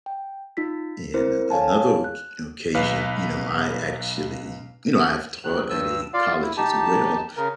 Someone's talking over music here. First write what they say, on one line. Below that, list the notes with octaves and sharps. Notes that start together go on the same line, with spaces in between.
In another oc occasion, you know, I actually, you know, I've taught at a college as well,
G5
D#4 F4 B6
C4 E4 A#4 C5
A4 C#5 F5 G#5 A5
F#6
B1 B4 F5
D2 D#3 F#6
G2 E6
F4 D5 F5
E4
D#4 G4 A5
C#3 A#4